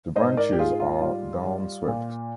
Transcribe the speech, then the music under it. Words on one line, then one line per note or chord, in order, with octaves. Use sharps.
The branches are downswept.
G#2 C5 D#5
A#4 D5
G4
G#2 F4 G#4
F4
G3 F4
G3
A#2